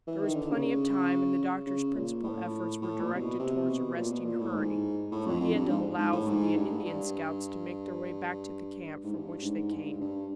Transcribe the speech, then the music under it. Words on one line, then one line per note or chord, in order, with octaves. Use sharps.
There was plenty of time, and the doctor's principal efforts were directed towards arresting hurry, for he had to allow for the Indian scouts to make their way back to the camp from which they came.
E3
D#3
D3
C#3
C#3
A#2
A2
A2
A#2
C3
B2
C3
B2
A#2
B2
A#2
A2
G#2
A2
F2
F2
G2
G#2
G#2
A2
G#2
G2
G2
G#2
G2
G#2
G2
G2